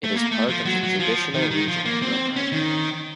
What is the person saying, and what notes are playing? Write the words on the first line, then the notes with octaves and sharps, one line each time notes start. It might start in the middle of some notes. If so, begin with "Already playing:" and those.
It is part of the traditional region of Romerike.
A3
A#3
A3
F3
F#3
F#3
F3
D#3
D#3
F3
A#3
C4
C#4
D#3